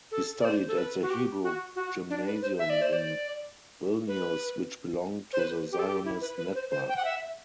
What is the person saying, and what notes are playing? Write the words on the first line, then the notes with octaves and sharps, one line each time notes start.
He studied at the Hebrew Gymnasium in Vilnius which belonged to the Zionist network.
A4
D5
C5
A4
B4
F#4
G4
F#4
F#4
D4
B4
C5
E5
D5
C5
D5
B4
C5
B4
G4
A4
G4
E4
B4
B4
C5
C5
G5
F#5
E5